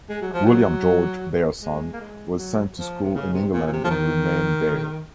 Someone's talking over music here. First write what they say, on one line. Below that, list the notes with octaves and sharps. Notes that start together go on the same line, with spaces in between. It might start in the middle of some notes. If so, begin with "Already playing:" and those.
William George, their son, was sent to school in England and remained there.
G#3
F#3
F3
F#3
G#3
A#3
G#3
F#3
F3
C3
C#3
C3
A#2
A#2
C3
F3
D#3